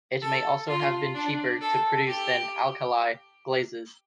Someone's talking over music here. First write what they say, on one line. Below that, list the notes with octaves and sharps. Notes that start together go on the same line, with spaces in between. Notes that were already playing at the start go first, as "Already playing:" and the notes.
It may also have been cheaper to produce than alkali glazes.
A4
F4
D4
A4
G4